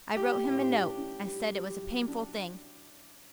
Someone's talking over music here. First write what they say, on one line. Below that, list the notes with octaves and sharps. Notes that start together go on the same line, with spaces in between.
'I wrote him a note, I said it was a painful thing.
G3 G4
A2
G4
D4
D4
G3
G3
F#3
D4